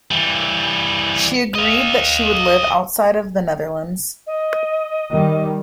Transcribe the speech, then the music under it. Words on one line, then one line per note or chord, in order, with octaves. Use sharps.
She agreed that she would live outside of the Netherlands.
E3 G3
D#5 F5
D#5
D#3 G3